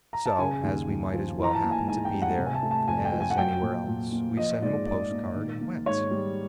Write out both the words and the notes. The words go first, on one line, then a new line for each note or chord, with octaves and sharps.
So as we might as well happen to be there as anywhere else, we sent him a postcard and went.
A#5
A5
C#3 G#5
D#2
D#2
F3
E3 A#5
A5
A#3
G#5
G#2 G#5
G5
G3
F#5
C3
G#5
A5
A3
A5
F2 G#5
G5
F3
G#5
F#5
F#3 G5
A#2
A#2
A#3
F3 D#5
G#2 D5
G#2 D5
A#3
D#3
A#3
G#2 C#5
G3